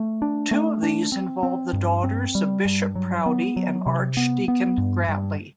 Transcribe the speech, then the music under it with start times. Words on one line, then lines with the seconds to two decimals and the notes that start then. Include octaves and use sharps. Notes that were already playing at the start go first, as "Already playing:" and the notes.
Two of these involve the daughters of Bishop Proudie and Archdeacon Grantly.
Already playing: A3
0.22 D4
0.51 A3
0.83 D4
1.12 C4
1.43 C4
1.73 G2
2.03 C4
2.35 G3
2.65 G2
2.95 F#3
3.26 B3
3.56 F#3
3.86 C3
4.17 B3
4.48 B3
4.78 G2
5.08 G2